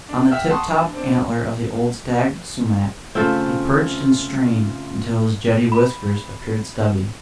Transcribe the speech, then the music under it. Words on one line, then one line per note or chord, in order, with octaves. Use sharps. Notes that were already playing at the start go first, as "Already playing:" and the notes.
On the tip-top antler of the old stag sumac, he perched and strained until his jetty whiskers appeared stubby.
D4
E5 F#5 G5 E6 F6
F#5 A5 C6 C#6 D#6
D4
C4 D4
C#3 A3 C4 E4 F4 A4 E5
B5